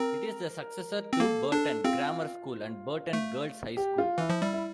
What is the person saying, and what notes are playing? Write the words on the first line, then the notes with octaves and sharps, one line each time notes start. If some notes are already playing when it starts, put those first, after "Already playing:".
It is the successor to Burton Grammar School and Burton Girls' High School.
Already playing: C4 A#4
C4
A#3 A4
D4 A4
C4 F4
A3
G4
F4
E3 E4
F3
G3 E4
E4